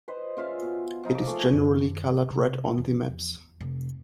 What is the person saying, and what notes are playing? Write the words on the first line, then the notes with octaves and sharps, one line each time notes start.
It is generally coloured red on the maps.
B4 C5 D#5
C#3 F4 E5 F5
B2
F3 D#4 F4
D6
A3 G#4 A4
F#2 D#3
C3
E4
E2 F3
F1